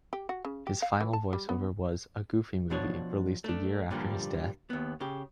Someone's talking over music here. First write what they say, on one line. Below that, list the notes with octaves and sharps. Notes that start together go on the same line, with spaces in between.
His final voice-over was "A Goofy Movie", released a year after his death.
G4
F#4
C#3
G4
F5
E3
A5
G3
B3
B2 F3 D4 C#5
A3 D4
G2 A#2 D3 F3 G3
D#2 B3
C#3 G4